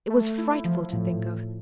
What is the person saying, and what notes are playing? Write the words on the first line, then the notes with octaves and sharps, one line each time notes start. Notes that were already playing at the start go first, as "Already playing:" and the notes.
It was frightful to think of.
A3
E4
F3
A2